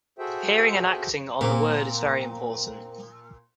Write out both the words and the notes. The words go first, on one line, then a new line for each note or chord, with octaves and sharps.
Hearing and acting on the Word is very important.
F#4 G#4 A4 C5 E5 G5
A#2 A#3 C4